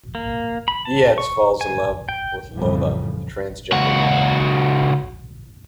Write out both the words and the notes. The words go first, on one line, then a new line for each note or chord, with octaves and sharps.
Eads falls in love with Lola, a transgender woman.
A#3
B5
A5
C#6
G#5
G5
F1 F2 A2 C#3 E3 G3
C#2 F#4